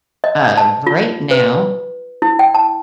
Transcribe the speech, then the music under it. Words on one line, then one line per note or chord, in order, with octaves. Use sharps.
Uh, right now
D#5
A5
F4
B4
E4
G5
A5